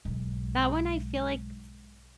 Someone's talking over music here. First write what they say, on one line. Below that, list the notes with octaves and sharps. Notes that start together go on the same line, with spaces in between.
that one I feel like,
B1 G#2